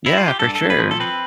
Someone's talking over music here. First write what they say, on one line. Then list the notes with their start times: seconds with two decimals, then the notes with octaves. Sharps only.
Yeah, for sure.
0.06 E4
0.18 F4
0.28 G4
0.39 G2 A4
0.55 A4
0.61 G2
0.70 B4
0.79 F3
0.91 A4
1.00 C4 B4